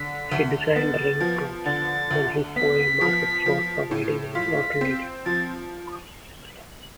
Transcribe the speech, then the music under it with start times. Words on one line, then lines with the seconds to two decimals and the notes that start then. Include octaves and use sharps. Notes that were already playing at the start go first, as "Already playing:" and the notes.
He designed Ring Pops when he saw a market for providing an alternative.
Already playing: D3 B6
0.32 D2
0.76 B3 A6
1.20 F3
1.66 D3 A6
2.11 D2
2.56 B3 B6
3.01 F3
3.46 F3
3.91 A2
4.35 F4 B6
4.81 C4
5.26 F3 A6